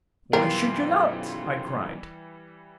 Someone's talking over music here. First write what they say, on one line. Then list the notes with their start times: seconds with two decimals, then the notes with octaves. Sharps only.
"Why should you not?" I cried.
0.33 F#2 B2 E3 G3 F4 A#4 G5